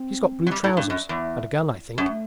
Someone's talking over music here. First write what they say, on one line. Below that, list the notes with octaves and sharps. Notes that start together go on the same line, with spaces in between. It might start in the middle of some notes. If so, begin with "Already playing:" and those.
He's got blue trousers, and a gun I think....
Already playing: C4
F#3
G3
A2
G2
F#2
E2
F#2
A3